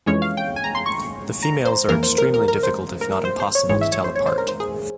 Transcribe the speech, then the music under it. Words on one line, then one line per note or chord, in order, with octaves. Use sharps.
The females are extremely difficult if not impossible to tell apart.
F2 E3 G#3 C#4 C#5
F5
G5
G#5
A#5
C6
C#6
A#5
C5
F2 E3 A#3 A#4
C5
A#4
A#4
A#4
C5
A#4
C5
C5
C#5
G#1 G#2 E3 G#3 C#5
E5
C#5
C5
C#5
C5
A#4
C5
G#4